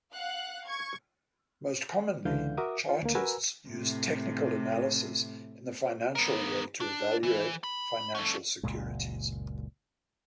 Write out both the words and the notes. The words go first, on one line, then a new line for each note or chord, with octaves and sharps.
Most commonly, chartists use technical analysis in the financial world to evaluate financial securities.
F5 F#5 F#6
C#6 G#6
C#2 D3 E3 F5 G6
F#4 A#4 E5 D6 D#6
F4
D2 A#3
F#4 A#4 B4 G#5 A#5 E6
A2 C3
B3 A#4
D4
E3
B5
C#4 A4
F#1 C#2 A#2 G#3